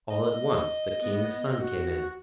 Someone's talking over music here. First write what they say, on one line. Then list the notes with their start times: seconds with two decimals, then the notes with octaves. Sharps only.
All at once the King's son came in.
0.11 D#5
1.02 B3
1.60 F#4